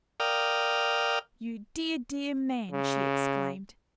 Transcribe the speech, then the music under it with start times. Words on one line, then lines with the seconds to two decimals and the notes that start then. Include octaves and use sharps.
"You dear, dear man!" she exclaimed.
0.20 A#4 D5 F5 G5 D#6 F6
2.72 C#3